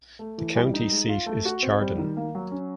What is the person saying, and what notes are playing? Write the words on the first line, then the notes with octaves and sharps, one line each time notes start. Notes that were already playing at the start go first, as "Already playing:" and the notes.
The county seat is Chardon.
A3
E3
G3
D#4
G#3
F4
A3
F#4
C4
G3
D#3
A#3
F#3
C#4